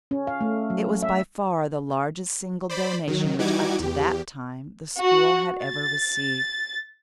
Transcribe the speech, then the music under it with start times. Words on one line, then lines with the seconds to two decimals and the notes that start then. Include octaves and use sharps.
It was by far the largest single donation which up to that time the school had ever received.
0.11 C#4
0.27 F5
0.41 A3
0.70 F#3
1.02 E5
2.70 C5 D5 B5
3.08 D#3 F#3
3.39 E3 G3 D#4 F#4 D6 G#6
3.79 E2 G4
4.98 F#4
5.63 A6